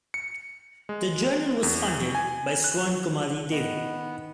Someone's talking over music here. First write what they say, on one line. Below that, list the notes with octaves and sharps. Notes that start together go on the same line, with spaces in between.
The journal was funded by Swarnakumari Devi.
C#7
G#3
E2
G#5
F#6
D#3 B3